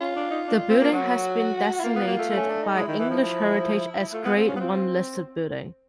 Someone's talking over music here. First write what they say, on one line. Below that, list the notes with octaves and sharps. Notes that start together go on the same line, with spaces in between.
The building has been designated by English Heritage as a Grade One listed building.
C#4 F4
D4
D#4
D4
C4
A#3
F#3 F#4
E4
A#3 F4
B3
A#3
A3
A3
C#4
D4
D#4
G#3 E4
D#3
E3
F3
F3
A3 F4
B3
C4
C#4
B3
C4